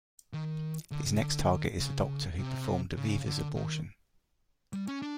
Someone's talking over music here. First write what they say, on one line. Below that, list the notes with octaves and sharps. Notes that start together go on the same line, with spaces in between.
His next target is the doctor who performed Aviva's abortion.
D#3
D3
C#3
D3
C#3
C3
C#3
D3
D#3
G3
C#4
D4